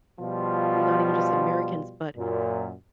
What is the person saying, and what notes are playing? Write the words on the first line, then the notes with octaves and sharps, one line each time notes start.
not even just Americans, but
B2 F3 G3 F4
F#2 A#2